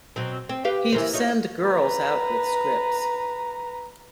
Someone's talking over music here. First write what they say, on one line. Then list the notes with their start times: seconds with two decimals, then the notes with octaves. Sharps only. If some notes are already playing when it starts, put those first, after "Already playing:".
He'd send girls out with scripts.
0.16 B2 F#3 C4
0.49 C4
0.65 G4 B4 F5
0.92 E3 A#4 C5
1.13 D#4 F4 C#5
1.66 B4 A#5